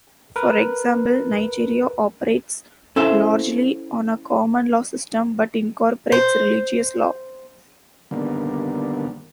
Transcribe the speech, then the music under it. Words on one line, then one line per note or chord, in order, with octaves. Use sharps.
For example, Nigeria operates largely on a common law system, but incorporates religious law.
A#4 B4
C#4 E4 A4 C5 E5 F5
C5
D3 D#3 G3 A#3 B3